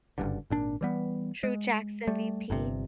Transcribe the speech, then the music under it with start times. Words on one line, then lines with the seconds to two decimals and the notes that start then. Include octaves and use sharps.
True Jackson VP.
0.18 F#1 G2 D3
0.50 G#1 A#2 D4
0.81 E3 G3 B3
1.43 G#3
2.07 G3 A3
2.50 G1 G2 C3